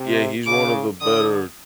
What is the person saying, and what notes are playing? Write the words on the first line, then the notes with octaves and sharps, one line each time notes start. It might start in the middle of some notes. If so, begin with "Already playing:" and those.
Y Yeah, he's one of the better
Already playing: C3
C#3 D6
D3 D#6